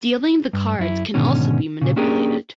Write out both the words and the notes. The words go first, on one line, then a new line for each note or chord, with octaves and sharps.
Dealing the cards can also be manipulated.
G2
F#2 E4
G#2 B2 D3 D#3 C#4
A#2 C#3
A#3 C#4 D4 G4 G#4 A#4